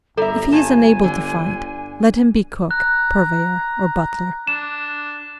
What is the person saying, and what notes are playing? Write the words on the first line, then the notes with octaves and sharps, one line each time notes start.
If he is unable to fight, let him be cook, purveyor, or butler.
G1 G3 A4 E5 A#5
G2 G#5 A5
D3
A#5 F#6
D4 E7